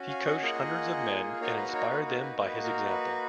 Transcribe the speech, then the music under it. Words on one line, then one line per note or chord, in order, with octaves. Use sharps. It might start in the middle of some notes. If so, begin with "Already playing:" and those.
He coached hundreds of men and inspired them by his example.
Already playing: C#4 F#4
F5 G#5
D#5 F#5
A#3 F4 G#4 D#5 F#5
A#3 D#4 F#4 C#5 F5
B4 D#5
A#4 C#5
B4
A#4
B4
A#3 D#4 F#4 B4
A#4
B4